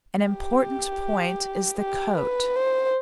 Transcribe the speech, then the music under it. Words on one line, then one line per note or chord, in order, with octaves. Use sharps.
An important point is the coat.
G4
G4
B4
C5